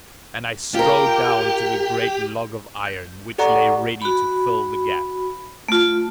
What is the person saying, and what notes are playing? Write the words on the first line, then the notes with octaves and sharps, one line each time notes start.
And I strode down to the great log of iron which lay ready to fill the gap.
F4 G4 A#4
G6
G4 A4 D5 F#5 A#5 C#6
F#4 B5
A3 F4